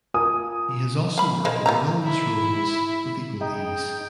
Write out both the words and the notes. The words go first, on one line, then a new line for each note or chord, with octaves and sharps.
He has also worked in villainous roles with equal ease.
F4 A#4 G#5 D#6
F5 B5
G#3 A#3 C5
B3 G4 A#5
E4
D#4 G#4 G5